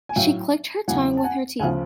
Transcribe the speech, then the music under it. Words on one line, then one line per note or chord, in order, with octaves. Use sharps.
She clicked her tongue with her teeth.
G#5
A2 F#3 F5 G5
E2 C#3 F#3 F#5 G#5
A5
F#5 G#5
D2 C#3 F3 F#5 G#5